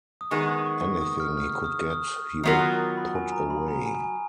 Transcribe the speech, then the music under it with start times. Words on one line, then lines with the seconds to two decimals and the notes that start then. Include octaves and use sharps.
Anything he could get he would put away.
0.21 D#6
0.31 D#3 G#3 B3 C#6
0.48 D#6
0.66 C#6
0.84 C#6
1.01 D#6
1.20 F6
1.37 F6
1.64 D#6
1.90 D#6
2.43 D#3 F#3 B3 F4 A#4
2.97 B5
3.15 G#5
3.32 A#5
3.50 B5
3.68 A#5
3.86 G#5
4.04 G#5